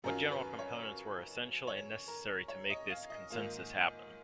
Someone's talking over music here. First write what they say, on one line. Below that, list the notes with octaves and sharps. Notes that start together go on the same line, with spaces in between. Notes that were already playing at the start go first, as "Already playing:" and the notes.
What general components were essential and necessary to make this consensus happen?
F#2 D#3 F#3 C#4 F4 A#4
B4
C#5
C#5
A#4
C#5
D#5
F5
D#5
G#2 D#3 A#3 F4